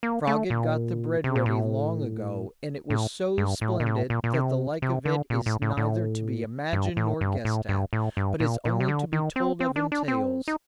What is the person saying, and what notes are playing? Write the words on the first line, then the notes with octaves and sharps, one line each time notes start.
The frog had got the bread ready long ago, and it was so splendid that the like of it is neither to be imagined nor guessed at, but is only to be told of in tales.
A#3
A3
A#2
C3
A#2
A2
A2
G2
A2
A#2
A2
A#2
A#2
C3
C3
D3
A#2
A2
A2
A2
G2
A2
G2
A2
G2
A2
G2
A#2
A#2
C3
D3
D#3
C4
C4
D4
D4
C4
D#4